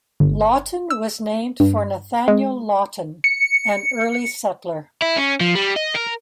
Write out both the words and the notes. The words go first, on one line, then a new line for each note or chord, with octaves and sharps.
Lawton was named for Nathaniel Lawton, an early settler.
G1
E6
G2
G#3
C#7
E4
C#4
F3
G3
D#5
A#4